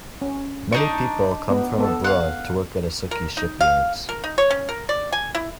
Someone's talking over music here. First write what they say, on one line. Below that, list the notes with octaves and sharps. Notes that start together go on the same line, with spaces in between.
Many people come from abroad to work at Usuki shipyards.
C#4
D4 D#4 C#6
B3
B3 A4
F5 F#5
A#4
D#4
F5
A#4
D#4
C#5
C#4
A#4
D5
G#5
E4